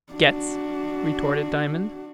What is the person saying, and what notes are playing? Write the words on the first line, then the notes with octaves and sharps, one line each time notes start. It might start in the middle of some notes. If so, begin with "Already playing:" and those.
"Gets!" retorted Diamond.
D4 F#4